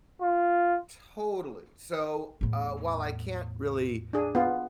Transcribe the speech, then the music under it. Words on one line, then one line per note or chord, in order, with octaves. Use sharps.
Totally. So, uh, while I can't really
F4
E2 A2
D4 G#4
B3 F4